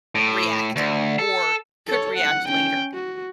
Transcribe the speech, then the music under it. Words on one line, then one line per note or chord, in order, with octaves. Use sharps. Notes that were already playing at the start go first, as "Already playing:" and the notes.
"reacted, or could react later.
A2
D2
A4
A4 C#5
F#5
C#4 G5
F#4